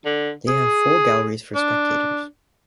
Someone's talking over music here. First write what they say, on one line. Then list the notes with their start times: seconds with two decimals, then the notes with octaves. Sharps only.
They have full galleries for spectators.
0.05 D3
0.48 G#4
1.56 D4